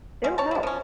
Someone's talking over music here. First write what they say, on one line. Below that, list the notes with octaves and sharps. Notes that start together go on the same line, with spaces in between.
It'll help.
G3 G#3
C#5 A5
C3 F#3
F3 C#4